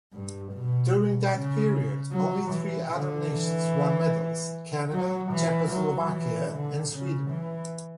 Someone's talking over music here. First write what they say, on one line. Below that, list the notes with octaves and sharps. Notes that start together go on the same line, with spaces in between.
During that period, only three other nations won medals: Canada, Czechoslovakia and Sweden.
G2
B2
B2
C#3
F#3
E3
D3
E3
F#3
E3
F#3
E3
D3
C#3
E3